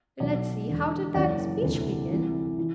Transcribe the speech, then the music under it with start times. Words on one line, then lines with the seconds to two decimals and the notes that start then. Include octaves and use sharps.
Let's see--how did that speech begin?
0.20 B1 B2 D5
0.68 E1 E2 D3
1.15 F#1 F#2 E3 D5 F#5
1.62 E1 D2 C3 E3
2.10 C2 C3 E3
2.59 E3